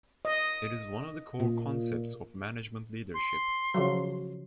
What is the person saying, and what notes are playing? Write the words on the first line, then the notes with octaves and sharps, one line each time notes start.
It is one of the core concepts of management leadership.
D#5
A#2
C6
C#3 F3 F#3